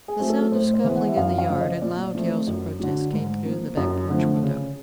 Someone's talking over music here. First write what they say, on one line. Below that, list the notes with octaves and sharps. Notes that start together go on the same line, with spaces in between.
The sound of scuffling in the yard and loud yells of protest came through the back porch window.
G#4
F#3 A3 C4
A4
A2 C5
C5
E3 G#3 B3
F#5
E5
F#2 F5
F5
C#3 F3
D#5
A#2 D5
F3 A3 C4
F#2
D3 F#3
G#2
F3 A#3
F#2
D3 F3 A3
C#3